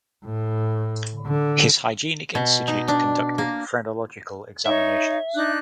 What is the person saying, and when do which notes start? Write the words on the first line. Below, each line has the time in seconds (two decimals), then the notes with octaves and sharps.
His hygienic institute conducted phrenological examinations.
0.25 A2
1.26 D3
2.35 B2
2.68 D#4
2.88 D4
3.38 A#3
4.66 D#4 C#5 E5
5.35 D4 D#4 F#6